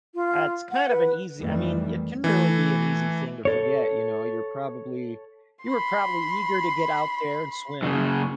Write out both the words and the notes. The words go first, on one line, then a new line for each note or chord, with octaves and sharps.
that's kind of an easy I mean, it can really be an easy thing to forget, you know, you're probably you were probably eager to get out there and swim.
F4
F#5
B4
F2 D#3 E3 G3 A3
E3 A3
A4 C#5
B5 C6
F#2 C#3